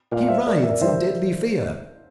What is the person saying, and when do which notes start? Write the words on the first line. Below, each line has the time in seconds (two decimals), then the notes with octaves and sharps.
He writhes in deadly fear.
0.12 A#2 D5 F5
0.23 F5
0.28 C5 E5
0.47 A#4 D5
0.63 E5
0.69 A#4 D5
0.81 G2 C5 E5